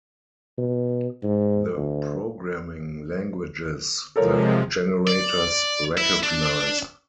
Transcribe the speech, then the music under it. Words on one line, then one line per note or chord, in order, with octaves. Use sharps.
The programming languages the generators recognize.
B2
G#2
D2
C3 F3 G#3 A4 A#4 C#5
D5
E4
D4